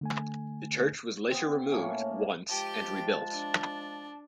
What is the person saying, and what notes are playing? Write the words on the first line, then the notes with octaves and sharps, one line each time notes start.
The church was later removed once and rebuilt.
D3 A3 G#5
B3 C4
A2 A#3 C#4
F3 G#3 G4 G5 A5
D4